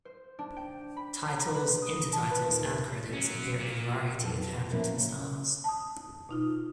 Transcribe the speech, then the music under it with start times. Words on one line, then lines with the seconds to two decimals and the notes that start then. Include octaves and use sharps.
Titles, intertitles and credits appear in a variety of handwritten styles.
0.05 C5
0.39 D4
0.57 G5
0.97 B5
1.28 A#5
1.55 B4
1.82 D#6
2.12 A5
2.31 B4
2.49 D#2
3.13 F#3 C#4
3.60 A#2
4.22 F2 F#3 A4 B4 A5
4.69 F3 A#3 B3 C#4 E4
4.96 C#3 C#4
5.64 A5 D#6
6.29 B2 D#4 F4